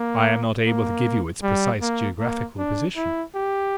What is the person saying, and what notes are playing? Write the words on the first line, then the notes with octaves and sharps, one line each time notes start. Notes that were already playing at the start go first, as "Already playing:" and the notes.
I am not able to give you its precise geographical position.
Already playing: A#3
A#3
G3
A#3
A#3
D4
E4
G4